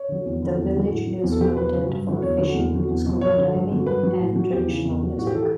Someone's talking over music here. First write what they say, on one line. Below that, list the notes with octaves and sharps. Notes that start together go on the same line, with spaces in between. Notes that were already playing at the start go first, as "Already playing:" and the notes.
The village is noted for fishing, scuba diving, and traditional music.
Already playing: C#5
D3 F#3
E2
D3 F#3
E2
D3 F#3
A2
F#3
E2
A4
B2 F#3 G4
E2 B4
C#3 F#3
G2
D3 F#3
E2 C#5
D3 F#3
E2
D3 F#3
E2
B2 F#3
F#2 C#5
D3 F#3
G2
D3 F#3
G2 B4
F#3
A2
F#3
E2 G4
C#3 E3
E2
B2 F#3
A2 F#4
G4
E3 A4
G4